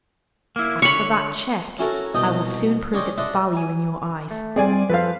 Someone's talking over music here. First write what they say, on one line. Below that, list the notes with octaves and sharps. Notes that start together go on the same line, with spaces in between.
As for that check, I will soon prove its value in your eyes.
A#3 E4
D3 C#5 B5 C#6
C#4 E4 F#4 A4 A#4 C#5
C2 B2 D#4 D#5 G5 D#6
C#4 D4 C#5 D#5 G5 C6
D4 D#5 E5 F#5 C6
G#5
A3
G3 C4 G#4 D5 G#5
F3 A4 B4 C5 F5